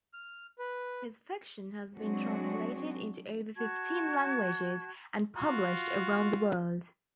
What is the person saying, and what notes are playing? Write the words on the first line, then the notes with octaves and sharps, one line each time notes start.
His fiction has been translated into over fifteen languages and published around the world.
F6
B4
F#3 G#3 C4 D4 F#4
F#4 A5 C#6 G#6
F4 F#4